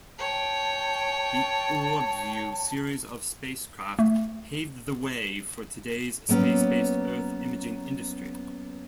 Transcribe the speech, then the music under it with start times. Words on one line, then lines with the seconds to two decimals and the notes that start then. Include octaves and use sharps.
The OrbView series of spacecraft paved the way for today's space-based Earth imaging industry.
0.18 C#5 G5 A5
3.99 A3
6.29 F#3 A#3 B3 C#4